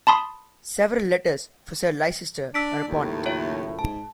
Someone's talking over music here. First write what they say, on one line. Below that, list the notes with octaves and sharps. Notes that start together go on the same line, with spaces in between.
Several letters for Sir Leicester are upon it.
A5 B5 C6 D#6
D4 E6 B6 D7
F#1 D#2 A2
F4 C#5 E5
G#2 A5